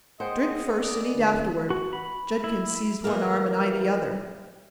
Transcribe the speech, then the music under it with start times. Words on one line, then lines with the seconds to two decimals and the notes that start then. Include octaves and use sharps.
"Drink first and eat afterward." Judkins seized one arm and I the other.
0.20 G#4 C5 D#5 F#5 G5 C6
0.82 D5 B5 E6
1.14 D2
1.70 F#4
1.93 B5
2.44 E4
3.04 E3 A3 A#3 A#4